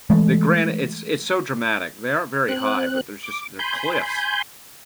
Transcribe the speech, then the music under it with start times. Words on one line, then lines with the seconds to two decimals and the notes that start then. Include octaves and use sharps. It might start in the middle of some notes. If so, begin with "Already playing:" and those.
the granite, it's it's so dramatic. They aren't very high, but there's just they're cliffs.
0.10 E3 G#3 A3
2.48 C4 F#6
3.23 D6
3.59 G#5 B5 C6 G6